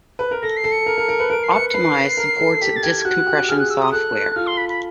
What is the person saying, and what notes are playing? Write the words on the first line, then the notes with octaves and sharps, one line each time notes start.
Optimize supports disk compression software.
B4
A#4
A4 A#6
C7
A4
C#7
A#4
A#4
A#4
B4
A#4 D7
C7
B4 C#7
C#7
B4 C7
B4
A#4
A4
G4 B6
A6
G4 G#6
F#4 F#6
G4
G#4 F6
F#6
E6
D#6
A4 F#6
F4 F6
C6
B5
B5